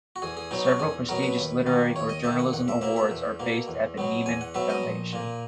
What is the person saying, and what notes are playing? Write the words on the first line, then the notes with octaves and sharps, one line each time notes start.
Several prestigious literary or journalism awards are based at the Nieman Foundation.
F#4
E2 G#4
G#4
B2 F#3 B3 D#4
F#4
E2 G#4
B2 F#3 B3 A#4
B4
D#2
D#3 A#3
D#2 C#5
D#5
D#3 A#3 E5
F#5
E2 F#5
E5
B2 A#3 E5
E5
E2
B2 A#3
E2
B2 F#3 B3
E2 G#5
F#5
B2 F#3 B3 E5
D#5
A#1
A#2 A#3